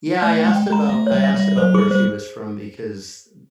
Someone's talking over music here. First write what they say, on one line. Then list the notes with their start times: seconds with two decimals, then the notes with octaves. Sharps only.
Yeah, I asked about I asked about where she was from because
0.22 A3 D5
0.39 G5
0.44 G#3
0.56 G5
0.66 G#3
0.72 A#5
0.89 A3 E5
1.07 C#5
1.12 G3
1.24 E5
1.35 G3
1.40 E5
1.58 F#3 C5
1.74 G3 G#4
1.91 G3 C5